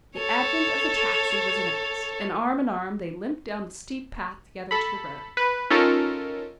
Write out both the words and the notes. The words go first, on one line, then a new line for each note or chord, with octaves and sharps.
The advent of the taxi was announced, and arm in arm they limped down the steep path together to the road.
A4 C#5
A4 B5
B4
C#4 D#4 F4 A4 A#4